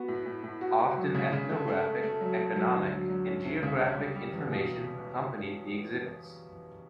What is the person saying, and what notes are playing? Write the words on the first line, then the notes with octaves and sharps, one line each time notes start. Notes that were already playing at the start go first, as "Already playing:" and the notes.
Often ethnographic, economic, and geographic information accompanied the exhibits.
Already playing: B3 F#4
A2
A2
A2
F#4
F#4
F#3
C#3
C#3
A3
A3
A3
A3
F#3
A3
F#3
D2
F#3
F#3
C#4
D2
C#3
C#4
G3
G3
E2
B2